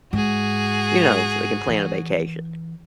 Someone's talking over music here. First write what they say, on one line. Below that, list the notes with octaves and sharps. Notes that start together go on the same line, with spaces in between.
you know, so they can plan a vacation,
G#2 F#4 G#4
E3